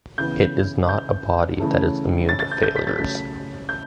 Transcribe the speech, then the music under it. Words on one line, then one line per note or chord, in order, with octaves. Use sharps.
It is not a body that is immune to failures.
C#3 E3 B3 G6
G6
C#3 E3 A3 C#4
A6
A6
G6
G6
B6
A6
C#3 F#3 A3 C#4 B6
G6